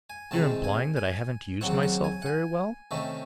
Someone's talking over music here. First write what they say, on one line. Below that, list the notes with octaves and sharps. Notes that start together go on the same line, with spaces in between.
"You're implying that I haven't used myself very well?"
G#5
C2 C3 D#3 G#3 C4 A5
G#5
G#5
D#2 C#3 F#3 C4 F#5
F#5
G#5
F#5
G#5
C3 D#3 A3 C#4